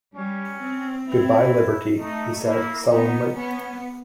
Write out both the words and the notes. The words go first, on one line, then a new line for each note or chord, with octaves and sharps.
"Good-bye, liberty," he said sullenly.
G3 C#4
C4
C4 E4
A3 D#4
A#3 E4
B3 D#4
B3 C#4